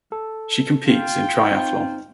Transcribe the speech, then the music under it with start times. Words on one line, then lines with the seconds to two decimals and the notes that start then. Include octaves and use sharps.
She competes in triathlon.
0.12 A4
0.88 F4 G5
1.50 C4 D#4